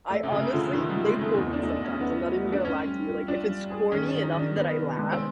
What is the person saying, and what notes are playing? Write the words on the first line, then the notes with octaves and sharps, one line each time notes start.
I, honestly they pull me sometimes. I'm not even gonna lie to you. Like, if it's corny enough that I laugh,
A3
C3
C#3 C#4
D3 F3
D#3 F3
G3
F3
G#3
A3 C#4
E2 D#4
D4
A3 D#4
D4
E2
C#4
A3 B3
F3
A3
D4
C4 C#4
G3
F4
D4 F4
G3
G#4
D#3 C#4
D4
D#3
D#4
D#3 D4
B3
C3
G#3
C4